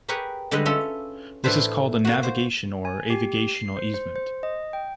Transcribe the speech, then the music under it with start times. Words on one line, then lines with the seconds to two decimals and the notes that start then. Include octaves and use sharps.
This is called a navigation or avigational easement.
0.08 G4 G#4 A#4 B4 C#5 G#5
0.51 D3 G3 G#3 B4 D#5
0.66 C#4 F4 A4 E5
1.44 A2 E3 D4 B4 C5
2.05 A#3 F#4
2.23 C5
2.85 G#5
3.10 G4
3.55 C7
3.77 C5
3.94 C5
4.16 C5
4.43 D#5
4.73 G5